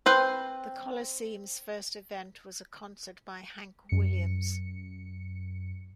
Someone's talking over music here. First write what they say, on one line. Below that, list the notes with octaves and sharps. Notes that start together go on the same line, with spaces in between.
The coliseum's first event was a concert by Hank Williams.
C4 B4 C5 G5
F#2 C#7